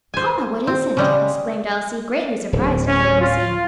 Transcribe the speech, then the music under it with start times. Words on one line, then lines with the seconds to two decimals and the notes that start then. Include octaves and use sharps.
"Papa! what is it?" exclaimed Elsie, greatly surprised at the little scene.
0.14 C5 G#5
0.67 C4
0.97 C#3 G3 G#3
2.53 D1
2.88 C#4
3.20 F4